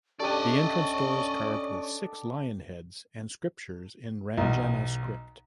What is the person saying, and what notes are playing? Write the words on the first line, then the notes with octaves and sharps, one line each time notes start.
The entrance door is carved with six lion heads and scriptures in Ranjana script.
C#4 D4 G4 A4 D5 D#5 C#6
B1 E2 D#5